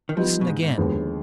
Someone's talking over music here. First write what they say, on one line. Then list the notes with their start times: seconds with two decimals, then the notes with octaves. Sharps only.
Listen again.
0.09 D#3
0.17 F3 G3 B3 D#4
0.41 B2
0.47 G#2
0.62 G#2
0.77 D#2 D3 F3 G#3 B3